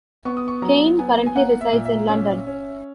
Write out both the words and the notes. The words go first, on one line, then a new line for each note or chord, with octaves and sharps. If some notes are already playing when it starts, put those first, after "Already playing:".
Caine currently resides in London.
B3 C#6
D#6
C#6
F#3 A#5
B3 G#5
G#5
A#3 F#5
E5
A#2
E5
C#4
C#4